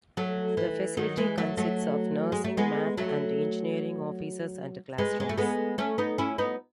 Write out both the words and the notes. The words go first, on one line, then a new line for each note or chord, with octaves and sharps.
The facility consists of nursing, math and engineering offices and classrooms.
F#3 A3
E3
D#3 F#3
E3 G#3
F#3 A3
F#3 A3
G#3
A3
G#3 B3
F#3 A3
G#3 B3
G#3
A3
G#3 B3
A3 C#4
B3 D#4
C#4 E4
B3 D#4